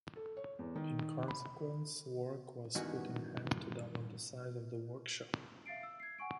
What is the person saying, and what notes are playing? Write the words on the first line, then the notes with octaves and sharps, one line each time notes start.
In consequence work was put in hand to double the size of the workshop.
A4
C#5
E2
D#3
B5
G2 B2 D#3 E3 C#4 F#4
E5 F5 A6 C7 D7
E6
G#6 C7
F#5 G#5 C#6 D7